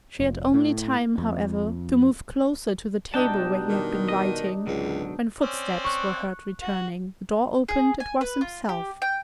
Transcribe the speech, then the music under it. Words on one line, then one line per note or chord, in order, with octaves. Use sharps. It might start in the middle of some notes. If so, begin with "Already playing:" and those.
She had only time, however, to move closer to the table where he had been writing, when footsteps were heard returning; the door opened, it was himself.
F1
A2
F2
B2 G3 D4 D#4 G5 A5
D#3
D#5
C#2 G#2 B2 D3 F#3
C4 C#4 D5
C#6 F#6
F#4
G#4
G#5
B4
F4
G4
G5